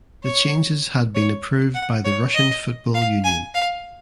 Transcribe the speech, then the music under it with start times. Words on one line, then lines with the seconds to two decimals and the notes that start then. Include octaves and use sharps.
The changes had been approved by the Russian Football Union.
0.24 C#5
1.15 C#5
1.75 F#5
2.05 C#5
2.35 D#5
2.95 F5
3.24 G#5
3.54 F5